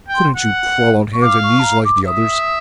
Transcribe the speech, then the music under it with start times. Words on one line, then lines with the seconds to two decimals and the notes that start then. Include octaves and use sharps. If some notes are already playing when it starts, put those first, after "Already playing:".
Couldn't you crawl on hands and knees like the others?
0.08 G5
0.14 C6
0.36 F#5
1.13 C#6
1.21 F5 D6
1.43 C#6
1.59 A5
1.63 A#5
1.84 D6
2.05 E5 D#6